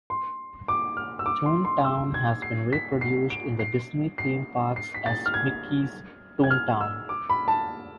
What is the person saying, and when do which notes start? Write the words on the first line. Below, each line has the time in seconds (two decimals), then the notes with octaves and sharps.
Toontown has been reproduced in the Disney theme parks as Mickey's Toontown.
0.10 C6
0.68 D6
0.97 F6
1.19 E6
1.26 D6
1.46 C6
1.65 C6
1.84 E6
2.14 G#6
2.42 C7
2.73 B6
3.01 C7
3.30 D7
3.59 C7
4.18 C7
4.76 C7
4.94 B6
5.06 A6
5.26 F6
5.34 G#6
6.44 G#6
6.51 F6
6.81 E6
7.09 D6
7.30 B5
7.48 A5